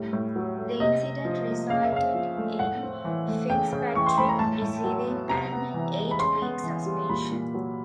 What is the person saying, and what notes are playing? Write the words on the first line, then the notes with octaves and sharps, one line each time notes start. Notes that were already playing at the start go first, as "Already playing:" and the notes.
The incident resulted in Fitzpatrick receiving an eight-week suspension.
Already playing: A2 G3
A2
F#3
A3
C3 D#5
C3
F3
A#3
C#3 F5
E5
C#3 F5
F3
A3
A2 F#5
C4
E3
A3
C#3 G5
C#3
E3 C#6
C6
A3 B5
A#5
A2 A5
A2
F#3
B3
C3 A#5
B3
E3
G#3
B5
C#3 C6
B3
E3
G3
A#2 B5
A#2
F#3